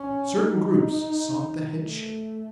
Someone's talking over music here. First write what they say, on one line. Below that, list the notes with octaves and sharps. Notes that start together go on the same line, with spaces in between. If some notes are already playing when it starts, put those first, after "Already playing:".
Certain groups sought the headship.
Already playing: C#4
D#4
A3